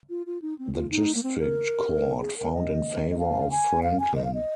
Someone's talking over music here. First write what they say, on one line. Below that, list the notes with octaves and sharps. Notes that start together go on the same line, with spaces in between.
The district court found in favor of Franklin.
F4
F4
D#4
C4
F4
D#4
A#3
C4
A#4
G#4
A#4
D#5
D#5
F5
G#5
F5
G#5
D#5
F5
D#5